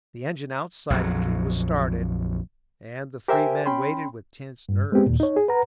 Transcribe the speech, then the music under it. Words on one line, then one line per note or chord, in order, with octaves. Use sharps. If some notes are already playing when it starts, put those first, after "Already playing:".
The engine outside the cave was started, and the three men waited with tense nerves.
A#1 F2 F#3
G4 A#4 C5 E5 G5 G#5
C#4 G5 B5 C6
G2
G#3 B3 C4 G4
D#2 A#2
D#4 C#5
G#4
B4 F#5 A#5